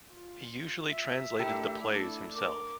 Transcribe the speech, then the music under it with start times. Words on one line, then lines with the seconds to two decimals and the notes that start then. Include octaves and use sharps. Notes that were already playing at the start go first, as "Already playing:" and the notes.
He usually translated the plays himself.
0.10 F4
0.90 E5
1.39 A3 D4 E4 G4 A4 A#4
1.95 A4
2.35 A#4 D6